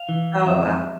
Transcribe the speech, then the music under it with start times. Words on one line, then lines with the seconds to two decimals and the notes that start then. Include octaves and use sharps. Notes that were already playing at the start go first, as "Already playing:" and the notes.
Oh, wow.
Already playing: F5
0.09 E3
0.46 F2 E5